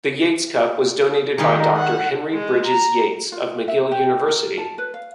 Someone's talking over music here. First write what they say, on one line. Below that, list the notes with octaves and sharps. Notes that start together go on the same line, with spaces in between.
The Yates Cup was donated by Doctor Henry Brydges Yates of McGill University.
D#3 G3 G#3 D#4
F#5
G#3
A#5
F4
E5
G4
A#4
A5
B4
F5